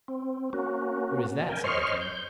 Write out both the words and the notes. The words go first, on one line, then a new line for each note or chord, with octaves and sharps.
"What is that?" said the king.
C4
A#3 C#4 F#4
A#4 G5 G#5
C5 C#5 D#5 C6 C#6 F6
G6